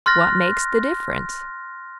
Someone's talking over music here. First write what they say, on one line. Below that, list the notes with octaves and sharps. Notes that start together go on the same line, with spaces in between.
What makes the difference?
C6 F6 F#6 A6 A#6